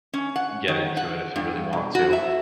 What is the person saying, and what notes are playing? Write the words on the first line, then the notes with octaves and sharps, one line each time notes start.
get into it if you really want to.
C#4
F#5
D#3
F#5
G2
B2
F#4
E5